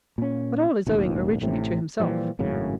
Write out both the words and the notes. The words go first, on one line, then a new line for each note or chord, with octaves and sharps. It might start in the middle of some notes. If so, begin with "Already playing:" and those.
But all is owing originally to himself.
A#2 C#4
E1 A1 D#2
A1 A2 C3
A#2 E3 F3 G3
G#1 F#2 A2 C#3